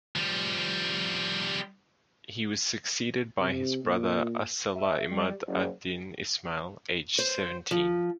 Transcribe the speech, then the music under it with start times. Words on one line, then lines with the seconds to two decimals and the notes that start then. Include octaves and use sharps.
He was succeeded by his brother As-Sâlih `Imâd ad-Dîn Ismâ`îl aged seventeen.
0.16 F3 G3
3.40 C3
3.84 A#2
4.76 E5
5.11 G3
5.47 F#1
7.19 C5
7.71 F3